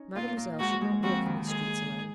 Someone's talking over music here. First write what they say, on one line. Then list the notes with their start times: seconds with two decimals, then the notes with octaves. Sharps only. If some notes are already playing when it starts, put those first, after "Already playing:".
Mademoiselle should not walk in these streets alone.
Already playing: C#4 D#4
0.15 A#2 A#3 F4
0.37 A#2 A#3
0.59 G#2 G#3 F#4
0.81 G#2 G#3
1.03 F2 F3 F#4
1.25 D#2 D#3
1.47 G#2 G#4